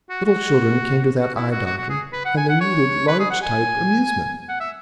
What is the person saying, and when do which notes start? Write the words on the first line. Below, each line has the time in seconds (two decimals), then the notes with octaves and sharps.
Little children came to that eye-doctor, and they needed large-type amusement.
0.10 F#4
0.25 F#4
1.19 F#4
1.35 E4
1.51 F#4
1.66 F#4
1.78 F#4
1.90 G#4
2.13 B4
2.25 F#5
2.37 G#5
2.49 F#5
2.61 C#5
3.08 B4
3.19 G#4
3.30 F#5
3.42 G#5
4.49 F#5
4.60 E5